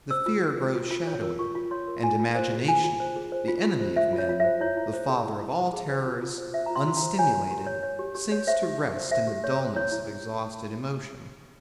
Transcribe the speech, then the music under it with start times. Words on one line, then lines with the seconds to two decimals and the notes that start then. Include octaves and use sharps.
The fear grows shadowy; and Imagination, the enemy of men, the father of all terrors, unstimulated, sinks to rest in the dullness of exhausted emotion.
0.10 C5 E6
0.26 F4
0.42 F4
0.59 C5
0.75 F4
0.91 F4
1.07 C#5
1.23 A#4
1.39 F4 C#6
1.55 F4
1.71 C#5 C6
1.87 A#4
2.03 F4 G#5
2.20 F4
2.35 C5
2.52 G#4
2.68 F4 G#5
2.84 F4
3.00 C5
3.16 G#4
3.32 C5
3.48 F4
3.64 F4
3.80 C5
3.96 C5 E5
4.13 F4
4.18 C#5
4.29 F4
4.40 C5 E5
4.61 E4 C#5
4.77 E4
4.93 C5
5.09 G#4
5.25 E4
5.41 E4
5.57 C5
5.73 G#4
5.89 C5
6.06 F4
6.22 F4
6.38 C5
6.54 C5 E5
6.66 F4 A#5
6.76 C6
6.87 F4
6.97 A#5
7.02 C5
7.19 C#5 G#5
7.35 G4
7.51 G4
7.67 C#5
7.83 C#5
7.99 G4
8.15 G4
8.32 C#5
8.47 C5 E5
8.63 G4
8.80 G4
8.96 C5
9.11 C5 E5
9.27 G4
9.44 G4 C#5
9.60 C5
9.76 E4 C#5
9.92 E4